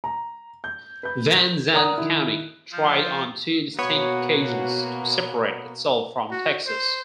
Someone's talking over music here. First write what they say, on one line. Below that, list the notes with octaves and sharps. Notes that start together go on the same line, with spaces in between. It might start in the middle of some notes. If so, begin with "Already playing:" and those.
Van Zandt County tried on two distinct occasions to separate itself from Texas.
A#5
G6
B4 G6
A#4 D5 F#5 A#5 D#6 F#6
D#3 E4
F3 F4 C5
B2 A#3 B3 F#4 C#5
F#4
C5